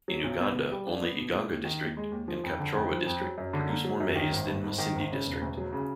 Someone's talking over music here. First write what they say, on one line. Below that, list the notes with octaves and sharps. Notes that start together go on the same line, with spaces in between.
In Uganda, only Iganga District and Kapchorwa District produce more maize than Masindi District.
F#3
B1
B3
B2
G3
D4
B3
B2
G#3
D#2
D#3
D#2
G#3
D#2
F3
F2
D3
F2
F3
F2
F#3
F#2
D3
A#3
F#3
F#2
D#3
G#1
G2
G#1
D#3
G#1
C#3
E1
D2
F#3
C#3